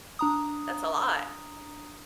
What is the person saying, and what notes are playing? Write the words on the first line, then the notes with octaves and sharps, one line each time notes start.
That's a lot.
D4 A#5 D#6